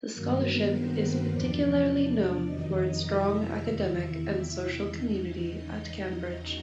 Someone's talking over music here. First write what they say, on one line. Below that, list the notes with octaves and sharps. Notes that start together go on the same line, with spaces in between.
The scholarship is particularly known for its strong academic and social community at Cambridge.
G2 D#3 F#3 A#3 A#4
B3 B4
C4 C5
C4 C5
E2 C3 F3 D4 D5
F2 C3 D#3 F#3 D#4 D#5
E4 E5
E2 C3 D#3
E2 C#3 E3 D#4 D#5
D#4 D#5
E2 C#3 F#3 D#4 D#5
D#4 D#5